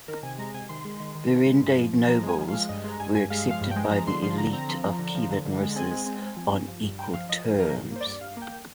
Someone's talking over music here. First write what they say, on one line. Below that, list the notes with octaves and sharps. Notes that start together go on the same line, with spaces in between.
Berendei nobles were accepted by the elite of Kievan Rus' on equal terms.
D#3 A#4
C3 G#5
G#3 A#5
C3 G#5
D#3 C6
G#3
D#3
D#3
C3
G#3
G2
F3
F3
F3 A#5
G#3
G#5
F3
G#3 F5
G2 D#5
G#3 A#5
G2 G#5
G2 G#5
G#3 F5
F3
F5
G2
G#3 G5
F3 A#5
D3 C6
F3 C6
D3 A#5
C4 A#5
F3
F3
D3
F3
D3
D3
G#3
C4 G#5
G#3
C4
C4
F3
G2
F3
G2
G2 G5
F3 F5
F3 D#5
F3 A#4
F3 A#4
G2
A#3 C5
D5
G2
G2 F5
A#3
G5